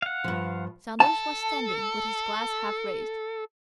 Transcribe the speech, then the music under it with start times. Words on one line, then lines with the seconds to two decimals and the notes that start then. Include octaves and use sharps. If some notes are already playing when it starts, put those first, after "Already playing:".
Saunders was standing with his glass half raised.
0.02 F5 F#5
0.24 G2 F3
1.00 A4 A5